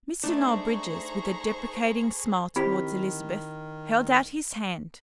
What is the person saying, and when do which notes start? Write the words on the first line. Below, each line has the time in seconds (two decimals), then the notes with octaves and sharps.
Mr. Noel Bridges, with a deprecating smile towards Elizabeth, held out his hand.
0.23 A3 D4 D#4 G#4 A4 C5 A#5 C#6
2.56 D#3 C4 E4 G4 B5 B6